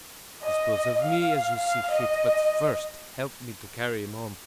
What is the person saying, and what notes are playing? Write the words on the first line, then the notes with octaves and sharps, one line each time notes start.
Dispose of me as you see fit; but first help me to carry him home.
D#5
F5
F5
D#5